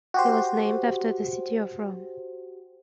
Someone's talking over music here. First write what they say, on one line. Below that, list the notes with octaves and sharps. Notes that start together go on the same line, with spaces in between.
It was named after the city of Rome.
F#4 G4 C5